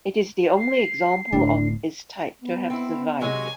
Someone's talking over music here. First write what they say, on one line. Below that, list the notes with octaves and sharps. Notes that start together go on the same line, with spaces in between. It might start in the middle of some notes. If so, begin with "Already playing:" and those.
It is the only example of its type to have survived.
C7
D1 A2 D4
B3
C4 E4
C3 F#3 G#3 G#5